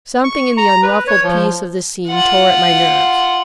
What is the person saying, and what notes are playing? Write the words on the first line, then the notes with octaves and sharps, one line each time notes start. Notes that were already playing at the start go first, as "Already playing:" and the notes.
Something in the unruffled peace of the scene tore at my nerves.
C#6
A#5
B4
C#5
F3
F4 F#5